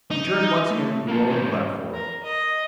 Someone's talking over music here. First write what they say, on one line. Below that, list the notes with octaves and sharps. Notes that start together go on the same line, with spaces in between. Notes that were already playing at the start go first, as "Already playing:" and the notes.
He turned once again to the rolling platform.
D#4
A3
A#3 A#4 F5 A5
A3 C#4 D#4 G4 C#5
A#4
D#5